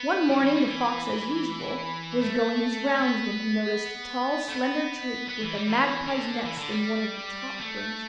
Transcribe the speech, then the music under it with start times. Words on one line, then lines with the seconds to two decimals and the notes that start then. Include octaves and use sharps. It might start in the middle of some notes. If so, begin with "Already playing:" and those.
One morning the fox as usual was going his rounds when he noticed a tall, slender tree, with a magpie's nest in one of the top branches.
Already playing: B3
0.28 G3
0.42 E3
0.55 G3
0.67 E3
2.22 A3
2.98 B3
4.48 A3
4.52 B3
5.29 B3
5.42 E3
5.55 G3
5.68 E3
6.07 D3
6.45 E3
6.58 D3
6.70 G3
7.61 A3